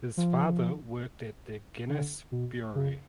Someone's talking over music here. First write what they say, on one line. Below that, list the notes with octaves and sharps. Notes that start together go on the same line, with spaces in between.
His father worked at the Guinness Brewery.
F3
D3
B2
C#3